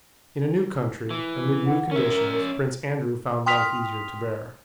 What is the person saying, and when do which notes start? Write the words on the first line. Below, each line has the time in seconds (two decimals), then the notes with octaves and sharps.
In a new country, amid new conditions, Prince Andrew found life easier to bear.
1.11 E3
1.67 F#5
1.91 C#4 A#4 E5
3.46 G5 C6 D#6 F6 B6 F7